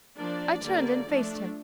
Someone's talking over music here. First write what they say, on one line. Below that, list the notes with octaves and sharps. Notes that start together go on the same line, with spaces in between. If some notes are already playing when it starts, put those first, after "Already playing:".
I turned and faced him.
F3 A#3 D4 D5
D3 G3 A#3
F3 A3 D4